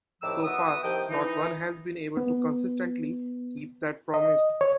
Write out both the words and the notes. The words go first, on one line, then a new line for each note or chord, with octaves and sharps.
So far not one has been able to consistently keep that promise.
C2 A2 D#3 F3 D6 E6
B3 F#4 E5 D#6
C2 C3 D#3 F3 G5
E3 D#4
B3
D#5
C#5